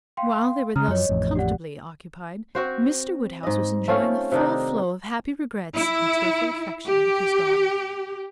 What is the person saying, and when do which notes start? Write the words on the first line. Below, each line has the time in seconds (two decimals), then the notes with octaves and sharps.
While they were thus comfortably occupied, Mr. Woodhouse was enjoying a full flow of happy regrets and tearful affection with his daughter.
0.17 F5 G5 C6
0.76 C#3 A#5 D#6 F6
0.88 F#2 F3 C#5 D#5
1.09 A1 F2 A2
1.35 G4 D5 F#5
2.55 C4 F#4 C5
3.43 G#2 D#5
3.88 A3 C4 C#4 F4
4.32 C3 D#3 D4 D#4
5.73 E4
6.86 G4